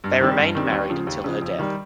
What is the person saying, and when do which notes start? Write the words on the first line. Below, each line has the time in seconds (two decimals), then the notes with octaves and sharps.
They remained married until her death.
0.04 G2
0.21 D#3 G3 C4
0.38 G2
0.55 D#3 G3 C4
0.72 D#2
0.90 C#3 F3
1.07 D#2
1.24 C#3 F3
1.42 F2
1.59 D#3 G3